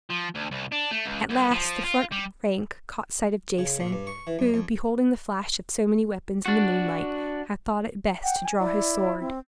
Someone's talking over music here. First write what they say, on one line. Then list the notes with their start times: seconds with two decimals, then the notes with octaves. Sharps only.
At last, the front rank caught sight of Jason, who, beholding the flash of so many weapons in the moonlight, had thought it best to draw his sword.
0.10 F3
0.35 D2
0.52 C2
0.72 D4
0.91 A3
1.06 C#2
1.30 C2
1.51 F3
1.84 F4
2.12 G3
3.58 C#3
3.80 A#2
3.92 G2
4.07 C#6
4.27 E3
4.39 F#2
4.54 F2
6.46 D4 F#4
8.23 F#5 G5
8.44 G#5
8.59 E4 D5
9.20 C4